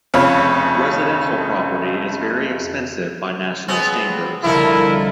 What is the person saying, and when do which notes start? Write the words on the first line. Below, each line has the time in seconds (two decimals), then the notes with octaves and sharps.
Residential property is very expensive by national standards.
0.14 F1 F2 C#3 F4 C#5 B5
3.68 C#3 B3 C4
4.44 C2 F2 D3 E4 F4 A4 A#4